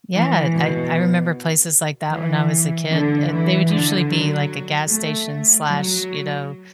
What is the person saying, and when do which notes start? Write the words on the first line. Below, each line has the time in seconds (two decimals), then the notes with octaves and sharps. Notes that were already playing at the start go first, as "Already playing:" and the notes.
Yeah, I I remember places like that when I was a kid, uh, they would usually be like a gas station slash, you know,
0.12 E3
0.53 B2
2.10 E3
2.91 D3
3.30 E3
3.69 D3
4.10 F#3
4.88 A3
5.69 F#3